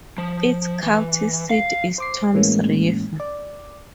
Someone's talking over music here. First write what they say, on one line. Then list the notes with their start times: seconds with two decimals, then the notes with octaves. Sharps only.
Its county seat is Toms River.
0.18 F3
0.83 E3
1.51 F5
1.98 C5 D6 C7
2.34 A2 E3 G#3 A#3 C#4
3.20 D5